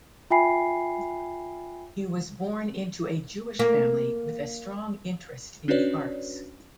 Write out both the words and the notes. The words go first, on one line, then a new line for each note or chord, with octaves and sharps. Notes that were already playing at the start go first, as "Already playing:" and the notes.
He was born into a Jewish family with a strong interest in the arts.
F4 E5 G5 G#5 B5 C7
A#3
C#4 D4 F#4 B4 C#5 D5